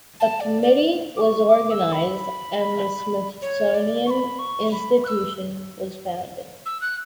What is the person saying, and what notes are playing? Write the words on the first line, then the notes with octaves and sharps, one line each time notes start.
A committee was organised and the Smithsonian Institution was founded.
A5
D5
D5
D6
C#6
D6
E6
B5
C#5
D5
C#6
B5
C#6
B5
F#6
E6
E6
F#6